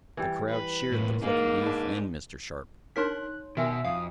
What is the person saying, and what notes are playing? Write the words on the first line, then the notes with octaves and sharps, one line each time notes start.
The crowd cheered the plucky youth and Mr. Sharp.
E3 G3
B4
A2 A#3
A#3 D#4 G#4
D4 B4
D4 D#4 A#4 C#5 C6 F#6 B6
B2 D#3 F#4 E5 G#5 E6
F2 F5 D#6